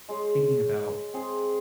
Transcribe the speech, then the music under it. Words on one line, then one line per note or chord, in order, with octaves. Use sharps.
thinking about
G#3 C#5
C4 G#4